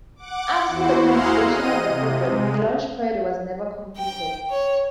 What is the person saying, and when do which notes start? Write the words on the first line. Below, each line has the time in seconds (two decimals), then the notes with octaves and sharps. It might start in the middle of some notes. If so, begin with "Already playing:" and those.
After the cancellation of the program the launch pad was never completed.
0.16 F#5 D6
0.67 E2 E4 F#4 C5
1.02 E4 G#4 F5 F#5 A#5 C6
1.44 D#5 D#7
1.83 C3
2.27 G#3
3.97 G5
4.51 C#5